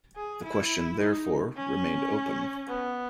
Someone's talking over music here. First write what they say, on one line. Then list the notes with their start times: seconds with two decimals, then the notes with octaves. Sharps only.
The question therefore remained open.
0.16 G#4
0.43 E4
1.00 D#4
1.56 C#4
2.68 B3